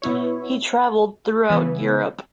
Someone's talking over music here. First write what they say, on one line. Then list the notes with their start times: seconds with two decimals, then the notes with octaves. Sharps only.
He traveled throughout Europe.
0.02 B2 B3 E4 C#5
1.49 C#3 E3 B3